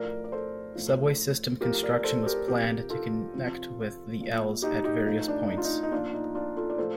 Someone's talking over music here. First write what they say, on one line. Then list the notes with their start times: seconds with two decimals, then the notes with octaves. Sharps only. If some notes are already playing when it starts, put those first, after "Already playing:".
Subway system construction was planned to connect with the els at various points.
Already playing: A2 F3 A#4 D5
0.24 D5
0.32 A4 C5
0.75 A2 F3
1.61 A2 F3 G4 A#4
1.83 A#4 D5
2.04 A4 C5
2.26 G4 A#4
2.47 C3 F3 G4 A#4
2.90 F4 A4
3.34 C3 F3
4.20 A#2 F3
4.62 D#4 G4
4.84 D#4 G4
5.06 A2 F3 D#4
5.28 D4
5.49 D#4
5.58 F4
5.65 D#4
5.83 D#4
5.92 A#2 F3 D4 F4
6.14 D#4
6.35 D4 F4
6.57 F4 A4
6.70 D5
6.78 A2 F3 A4 C5